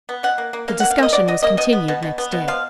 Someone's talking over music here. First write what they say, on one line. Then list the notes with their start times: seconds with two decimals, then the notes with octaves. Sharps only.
The discussion was continued next day.
0.09 B3
0.23 B2 F#5
0.38 A#3
0.53 A#3
0.68 A#3 F5
0.80 A#3 F#5
0.91 F5
0.98 A#3 D#5
1.13 F#3 D5
1.28 F#3 D#5
1.42 A#3 D#5
1.57 B2 D#5
1.73 B3
1.88 B2
2.02 B2
2.18 B3
2.32 B2
2.48 F3 F5